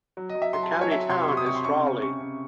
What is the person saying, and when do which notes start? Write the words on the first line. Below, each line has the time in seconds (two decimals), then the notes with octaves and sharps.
The county town is Tralee.
0.17 F#3
0.29 D#5
0.35 F#3
0.42 E5
0.53 F#3 C6
0.63 A5
0.72 F#3 G#5
0.81 C#5
0.90 F#3 E5
1.09 C3 C6
1.23 C6
1.28 C3 C#6
1.37 D#6
1.46 C3 C#6
1.56 C6
1.65 C#3 C#6
1.84 C#3
2.02 C#3 C#6
2.21 C#3